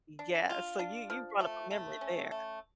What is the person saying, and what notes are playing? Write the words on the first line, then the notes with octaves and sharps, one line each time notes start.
Yeah, so you you brought up a memory there.
D4
F4
D4
F3
A3
A3
C#4
A3